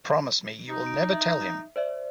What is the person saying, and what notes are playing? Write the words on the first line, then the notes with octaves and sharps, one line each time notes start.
Promise me you will never tell him.
D#4
D7
E5
C5 D5 E5